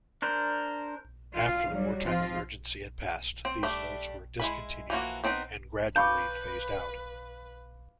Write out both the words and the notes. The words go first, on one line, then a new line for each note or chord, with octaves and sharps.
After the wartime emergency had passed these notes were discontinued and gradually phased out.
D4 A#4 C5
D2 F4 F5
F#3 G3
F3 C4 F4
C4
G3 A3 D4 E5
G#3 E4 B5
E3 F3 G3 A#3 F#4
B3 C4 D#4 A4 B4
B4 F5 A5 B5 C#6 D6 G6